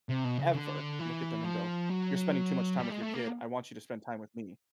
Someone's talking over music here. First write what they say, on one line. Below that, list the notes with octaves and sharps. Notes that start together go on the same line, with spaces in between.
ever look at them and go, "You're spending too much time with your kid, I want you to spend time with me."
C3
B2
C#3
D3
E3
F3
F#3
G3
G#3
A3
A#3